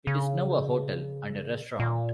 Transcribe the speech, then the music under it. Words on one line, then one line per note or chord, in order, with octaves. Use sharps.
It is now a hotel and a restaurant.
C#3
A#2